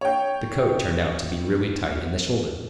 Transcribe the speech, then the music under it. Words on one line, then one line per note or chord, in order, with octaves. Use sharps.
But the coat turned out to be really tight in the shoulders.
C#5 G5